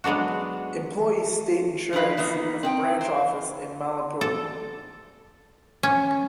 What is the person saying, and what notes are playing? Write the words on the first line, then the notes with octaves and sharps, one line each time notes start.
Employees' State Insurance has a branch office in Malappuram.
F#3 G#3 B3 D4 F#4
F3 D#4 E4 B4 F5
E3 A#3 B3 D#4
C4 D#4 G5
C5
A4
C#4